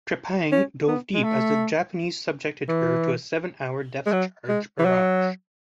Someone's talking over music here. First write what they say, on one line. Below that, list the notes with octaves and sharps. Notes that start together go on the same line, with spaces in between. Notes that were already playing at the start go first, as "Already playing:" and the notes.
"Trepang" dove deep as the Japanese subjected her to a seven-hour depth charge barrage.
C#4
B3
G#3
A3
E3
G#3
F#3
G#3
E3
F#3